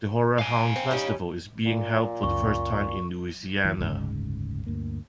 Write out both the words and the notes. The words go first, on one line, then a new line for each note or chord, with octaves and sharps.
The Horror Hound festival is being held for the first time in Louisiana.
F5 G#5
C4
G3 C#4 D#4
A#2
C#2 F#2 C#6
D2 E3
F#1 D2 G#2 C#3
D2 G2 A#3